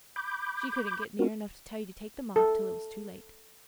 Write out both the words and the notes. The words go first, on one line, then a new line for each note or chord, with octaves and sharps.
She couldn't get near enough to tell you to take them off till it was too late.
B5 D6 G6
B3 C4 D4 F4 F#4 A#4
A4